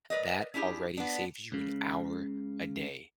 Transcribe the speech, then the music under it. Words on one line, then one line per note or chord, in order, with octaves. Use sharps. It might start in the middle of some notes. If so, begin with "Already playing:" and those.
that already saves you an hour a day
A#4 B4 D5 D#5
C#4 D4 E4 G4 G#4
B3 D4
C#2 C#3